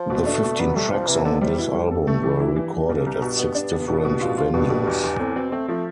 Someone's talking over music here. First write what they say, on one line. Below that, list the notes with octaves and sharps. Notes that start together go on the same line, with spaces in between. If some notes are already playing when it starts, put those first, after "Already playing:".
The fifteen tracks on this album were recorded at six different venues.
Already playing: F3
B2
A3 D4
B2
C3 B3
G3 A3
C2 F3
C3 E3
D3 B3
C3 G3
B2 E4
A2 G3
G2 A4
A3
E3
E4
E3
E3
C2
C2
B2
B3
D4
B3
G2 B2
B2
F4
F4
G2 B2
B2
E2
E2
A2 C4
B2 C4
A3 C4
F3 A3